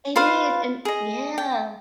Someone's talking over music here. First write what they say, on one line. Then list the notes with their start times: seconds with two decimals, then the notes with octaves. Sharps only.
It is, and yeah.
0.16 F4 B4 C5 F5
0.85 G#4 D#5
1.38 G5